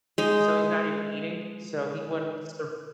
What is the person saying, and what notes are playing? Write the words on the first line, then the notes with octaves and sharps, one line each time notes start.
so, he's not even eating. So, he wouldn't surv
G#3 D#4